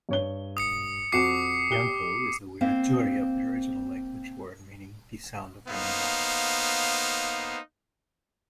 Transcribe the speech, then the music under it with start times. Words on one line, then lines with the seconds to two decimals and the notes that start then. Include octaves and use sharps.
Yanco is a Wiradjuri aboriginal language word meaning "the sound of running water".
0.09 G2 C#5 G7
0.57 D#6 C#7
1.12 F2 F#4 D6 C7 C#7 E7
1.71 G4 G7
2.61 A#3 C4 F5
5.68 A#3 B3 D#4 C5 F5